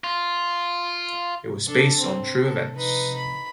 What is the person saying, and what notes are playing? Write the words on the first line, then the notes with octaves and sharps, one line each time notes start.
It was based on true events.
F4
D4 A4
C4
A4
D#4 B4
B5